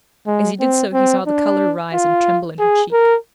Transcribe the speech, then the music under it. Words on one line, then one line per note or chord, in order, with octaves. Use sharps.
As he did so he saw the colour rise and tremble in her cheek.
G#3
C4
C4
D4
F4
G#4
A#4